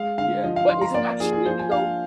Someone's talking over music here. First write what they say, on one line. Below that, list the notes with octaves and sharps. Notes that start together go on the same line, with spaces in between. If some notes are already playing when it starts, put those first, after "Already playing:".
Yeah, but isn't that streaming, though?
Already playing: G#3 F5
D3 F5
F3 D#5
F5
F3 C6
A#5
A#3 D5
F3 G#4
G#4
F3 C5
G#5
D4 F5